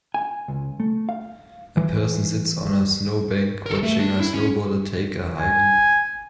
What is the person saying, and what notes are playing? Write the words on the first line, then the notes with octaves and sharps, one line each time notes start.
A person sits on a snowbank watching a snowboarder take a high leap.
G#5
C#2
A3
F5
E3
A4 A#4
A3
D4
E4
C#4
G#5